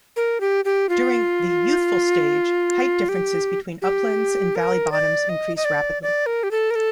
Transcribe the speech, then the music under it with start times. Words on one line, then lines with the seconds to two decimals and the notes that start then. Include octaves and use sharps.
During the "youthful" stage height differences between uplands and valley bottoms increase rapidly.
0.16 A#4
0.41 G4
0.65 G4
0.89 F4
3.09 G4
3.82 G4
4.56 A#4
4.92 D5
5.29 D#5
5.57 D#5
5.65 D5
6.02 D5
6.26 A#4
6.43 G4
6.51 A4
6.70 A#4
6.75 A4